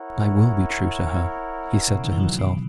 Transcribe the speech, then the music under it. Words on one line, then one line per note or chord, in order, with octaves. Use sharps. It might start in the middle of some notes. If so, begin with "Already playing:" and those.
"And I will be true to her," he said to himself.
Already playing: E4 A#4 C#5 F#5
B2
C#3
D#3
E3
D#3 F#3
E3
B2 D#3